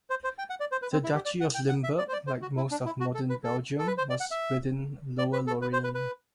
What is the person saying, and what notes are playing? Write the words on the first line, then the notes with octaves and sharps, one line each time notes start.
The Duchy of Limburg, like most of modern Belgium, was within Lower Lorraine.
C5
C5
G5
F#5
D5
C5
B4
C4
E4
G4
D5
F#5
G5
F#5
E5
D5
C5
D5
C5
F#4
E4
D4
E4
F#4
A4
B4
A4
A4
B4
C5
D5
F#5
E5
D5
B4
A4
B4
C5
B4
B4